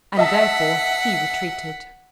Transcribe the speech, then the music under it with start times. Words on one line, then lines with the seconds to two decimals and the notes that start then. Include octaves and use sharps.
And therefore he retreated.
0.17 D#5 E5 F#5 A5 B6